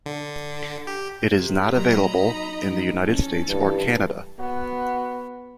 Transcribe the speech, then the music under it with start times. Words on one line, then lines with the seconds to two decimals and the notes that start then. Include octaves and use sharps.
It is not available in the United States or Canada.
0.06 D3
0.87 G4
1.35 C3
1.72 A#2 F#3 D#5 A#5 B5
2.22 D#4
2.65 F3 D#4
3.01 E2 C#4 A4
3.49 G2 E3 G#3
4.39 B3 F#4